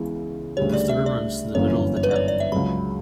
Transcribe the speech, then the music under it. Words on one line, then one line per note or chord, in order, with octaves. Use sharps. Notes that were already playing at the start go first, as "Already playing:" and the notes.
The Thur runs through the middle of the town.
Already playing: C#2 C#3 E3 B3
D2 C#3 G3 C#5
D5
E5
D5
G1 F#2 E3 A#3 C#4 C#5
C#5
B4
D5
C#5
D5
E5
C#2 C#3 F#3 B5